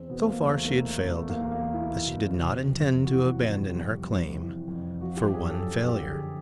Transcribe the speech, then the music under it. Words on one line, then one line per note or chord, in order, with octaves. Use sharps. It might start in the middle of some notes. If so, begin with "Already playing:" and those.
So far she had failed, but she did not intend to abandon her claim for one failure.
Already playing: E2 C4
B2 B3
A3
A#3
E2 A3
A#3
E2
A3
B2 A3
A#3
E2
A#3
E2 E4
B2
C3
F2
E3 F#4
F2
G3
F2
E3
F2
F3 F#4
G4
F#2 G#4
A4
F3
G4
D3
G#4